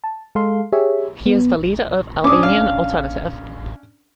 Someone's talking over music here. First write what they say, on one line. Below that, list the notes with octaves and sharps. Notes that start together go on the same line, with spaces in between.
He is the leader of Albanian Alternative.
A5
G#3 A4 F5 C6
G4 G#4 C#5 E5
B3
C#4 D4 G#4 D6
F5